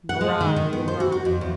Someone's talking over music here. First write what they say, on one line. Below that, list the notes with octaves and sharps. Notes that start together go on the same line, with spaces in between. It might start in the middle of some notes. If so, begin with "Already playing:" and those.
"Nor I,--nor I."
F#5
G#3
D#3
D#3
B3
C5
F#4
F#4
F2
E2